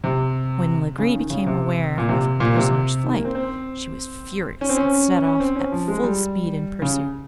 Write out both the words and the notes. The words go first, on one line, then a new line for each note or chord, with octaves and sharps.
When Lagree became aware of her prisoner's flight she was furious, and set off at full speed in pursuit.
C3
C#3
D#3
C#3
C3
A#2
C3
A#2
C3
D#3
A#3
C4
C4
C#4
C4
C#4
C#4
C4
C#4
F3
G#3
G3
C#3